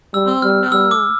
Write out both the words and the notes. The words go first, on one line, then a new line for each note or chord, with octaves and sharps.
Oh no.
G3 E6
G3 F6
G3 E6
D6